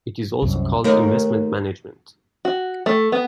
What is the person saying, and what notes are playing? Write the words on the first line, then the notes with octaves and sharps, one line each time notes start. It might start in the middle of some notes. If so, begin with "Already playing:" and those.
It is also called investment management.
C2 F#2
D#2 A3 D#4 A#4
F#4
A3
B3